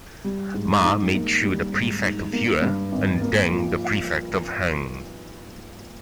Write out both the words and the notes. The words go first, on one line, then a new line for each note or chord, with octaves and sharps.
Ma made Xu the prefect of Yue and Deng the prefect of Heng.
G3
G#2
D#4
A#3
G3
G#2
D#4
A#3
G2
G#1
A#3
F3